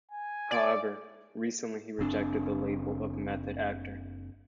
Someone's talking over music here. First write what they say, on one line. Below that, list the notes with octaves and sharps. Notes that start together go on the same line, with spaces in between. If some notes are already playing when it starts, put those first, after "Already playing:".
However, recently he rejected the label of "method actor".
G#5
D5
F#1 C#3 C4 D4